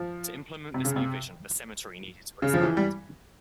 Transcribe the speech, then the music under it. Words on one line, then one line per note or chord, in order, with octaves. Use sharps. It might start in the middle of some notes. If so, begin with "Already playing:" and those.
To implement this new vision, the cemetery needed to expand.
Already playing: F3
C3
C#3
C3
C#3
F3
E3
G3